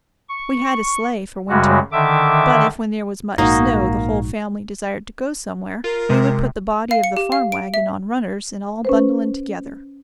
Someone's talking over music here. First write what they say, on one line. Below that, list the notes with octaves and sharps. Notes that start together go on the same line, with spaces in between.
We had a sleigh for winter; but if, when there was much snow, the whole family desired to go somewhere, we would put the body of the farm wagon on runners and all bundle in together.
C#6
F#2 C#3 G3 G#3 F#4
D3 D#3 E5 D6
A#1 G#2 A#3 D#4 F#4
F4 A#4
C3 G#3
F5
C#7
G4
F5
D7
E5
C#4 B4 C5